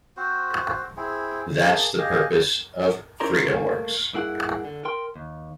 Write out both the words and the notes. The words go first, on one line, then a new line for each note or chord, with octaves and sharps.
That's the purpose of FreedomWorks.
C4 F#4 C5
C4 E4 G#4
A#3 G#4 A5
G4 G#4 D#5 F5
C#4 E4 A#4 C5 D5 A#5
C2 A3 A#3
G2 A#3 E4 G#4 F#5
D3
A#4 G5 C6
D#2